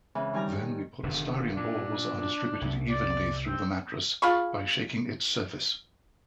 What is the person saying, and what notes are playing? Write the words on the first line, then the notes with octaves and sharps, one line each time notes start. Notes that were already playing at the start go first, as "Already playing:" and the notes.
Then, the polystyrene balls are distributed evenly through the mattress by shaking its surface.
C#3 E3 G#3 C4
D#3 G3 G#5 A#5 F6
E1 D3 D#3
A#2 D4
C2
D5
C4
F4 G#4 B5 C#6